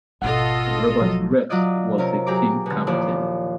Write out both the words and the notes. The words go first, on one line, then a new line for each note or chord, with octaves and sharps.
Robert Rex was the team captain.
G#1 B2 F4 A4 D#5 F#5
F3 F#3
F#3 F4 F#4 D5 D#5
C3 C#4 A#4
F#3 G4 G#4 A#5 D6
B2 D3
D#2 A#2 F3 E4 D5